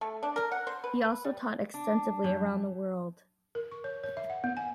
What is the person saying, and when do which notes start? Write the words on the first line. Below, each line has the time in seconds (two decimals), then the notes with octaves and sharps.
He also taught extensively around the world.
0.01 A3
0.23 D4
0.36 A#4
0.52 F#5
0.67 C5
0.84 B4
1.04 B4
1.24 G3
1.74 D4
2.24 F#2
3.55 A#4
3.72 C#6
3.84 C#5
4.03 C#5
4.17 E5
4.30 F#5
4.44 B3
4.57 G#5